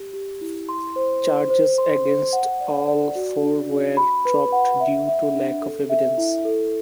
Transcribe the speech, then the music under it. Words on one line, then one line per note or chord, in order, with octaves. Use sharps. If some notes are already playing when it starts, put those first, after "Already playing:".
Charges against all four were dropped due to lack of evidence.
Already playing: G4
G4
E4
C6
C5
C5
C5
C6
C5
F#5
D5
D5
F#4
D4
F#4
B5
B4
F#5
E5
E5
D4
A4
E5
E4
A4